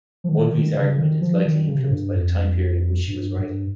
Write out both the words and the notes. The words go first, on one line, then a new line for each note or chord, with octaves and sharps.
Mulvey's argument is likely influenced by the time period in which she was writing.
F3
D#3
D#3
C#3
D#3
F3
D#3
C#3
C3
C#3
G2
F2
G2
G2